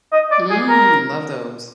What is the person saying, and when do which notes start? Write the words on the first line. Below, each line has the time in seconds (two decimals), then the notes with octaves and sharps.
Mm, love those.
0.12 D#5
0.32 D5
0.50 G#4
0.69 A#4